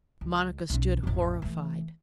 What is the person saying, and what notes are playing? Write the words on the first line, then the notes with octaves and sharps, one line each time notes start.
Monica stood horrified.
C#2
B1 C#4
A1 F2
E3 A3